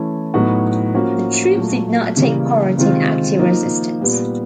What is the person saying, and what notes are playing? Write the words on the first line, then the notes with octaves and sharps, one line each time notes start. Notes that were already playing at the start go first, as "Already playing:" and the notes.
The troops did not take part in active resistance.
Already playing: E3 A3 C#4 E4
A2 F#3 B3 D#4 F#4
F3 A#3 C#4 F#4
A#2 F#3 A3
C#3 E3 G3 A#3
C3 D#3 G#3 C4 F4
F3 A#3 D#4
A#2 G3 B3